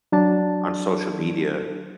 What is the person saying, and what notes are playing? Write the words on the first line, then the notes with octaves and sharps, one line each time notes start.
on social media,
F#3 D4 A5